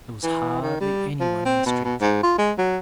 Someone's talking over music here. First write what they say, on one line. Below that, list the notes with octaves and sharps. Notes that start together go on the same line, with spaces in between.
There was hardly anyone in the streets.
E3
D#3
G3
F3
C4
B2
B2
G#2
F4
G#3
F#3